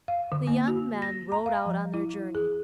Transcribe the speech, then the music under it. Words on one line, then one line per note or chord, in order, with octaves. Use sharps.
The young men rode out on their journey.
F5
D3
A#3
F#4
A#6
A#5
F5
F3
E4
G#4